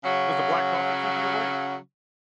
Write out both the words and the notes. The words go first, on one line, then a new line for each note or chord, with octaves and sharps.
Does the black coffee keep you awake?
C#3 F#3